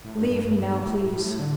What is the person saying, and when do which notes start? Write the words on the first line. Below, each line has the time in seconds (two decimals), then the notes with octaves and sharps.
Leave me now, please.
0.05 A2
0.18 G2
0.31 G2
0.45 G2
0.59 G2
0.85 A2
1.12 A2
1.39 D3